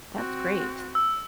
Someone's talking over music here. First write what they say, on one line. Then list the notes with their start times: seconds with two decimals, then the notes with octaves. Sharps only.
That's great.
0.14 C4 F#4
0.95 E6